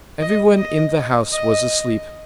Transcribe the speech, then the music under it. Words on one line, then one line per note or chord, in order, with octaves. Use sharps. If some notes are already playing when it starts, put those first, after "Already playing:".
Everyone in the house was asleep.
D#5
D#5
D#5